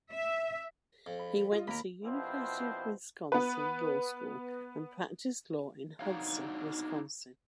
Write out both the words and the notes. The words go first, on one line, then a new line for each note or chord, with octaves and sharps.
He went to University of Wisconsin Law School and practiced law in Hudson, Wisconsin.
E5
F2
B5
F4 D#5
D#2 A#3 A#4 B5 B6
A#1 B2 F3 C4 E4 C5
B3 B4
D4 D#4 F#4 C#5 F5